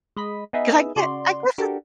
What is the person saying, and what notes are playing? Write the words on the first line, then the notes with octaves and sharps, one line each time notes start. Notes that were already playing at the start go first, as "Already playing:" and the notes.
'Cause I get I guess it's
G#3 D#5 B5 B6
B3 D#4 G#4 B4 D#5 E5
C#3 F#4 D5 C6
D4 F#4 G4 A4 A#4